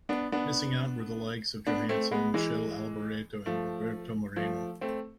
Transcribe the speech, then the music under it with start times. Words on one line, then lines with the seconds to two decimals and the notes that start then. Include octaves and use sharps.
Missing out were the likes of Johansson, Michele Alboreto and Roberto Moreno.
0.09 B3 D4
0.32 B3 D4
1.67 B3 D4
1.89 A3 C4
2.11 G#3 B3
2.34 E3 G#3
3.46 F3 A3
4.36 F3 A3
4.81 A3 C4